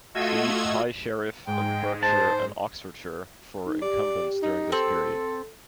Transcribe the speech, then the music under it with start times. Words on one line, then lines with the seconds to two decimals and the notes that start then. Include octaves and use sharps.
See High Sheriff of Berkshire and Oxfordshire for incumbents during this period.
0.14 A3 F4 F#4 D#5 E6 G#6
1.47 G#2 G#3 G5
2.03 C5 A5
3.65 D#4
3.82 G4 D5
4.43 D#4
4.72 C4 A4